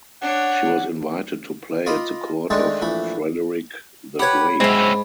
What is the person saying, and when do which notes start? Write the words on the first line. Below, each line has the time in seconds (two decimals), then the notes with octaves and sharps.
She was invited to play at the court of Frederick the Great.
0.21 D4 C#5 F#5
1.86 F4 A#4 D#5 B5 C6 D6
2.50 D#3 G#3 A3 C4 D4 A4
2.82 A#1 E3 A3 B5
4.19 G4 B4 C#5 F#5 B5
4.60 G#2 F#3 C4 C#4 E4